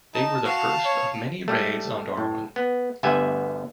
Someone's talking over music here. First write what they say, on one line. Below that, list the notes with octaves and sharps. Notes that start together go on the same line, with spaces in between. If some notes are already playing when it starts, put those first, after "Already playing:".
They were the first of many raids on Darwin.
D#4 A5
F#4 F5 A5
C#5
G3 A3
A2
B3
G1 D2 G3 B3 E5 G#5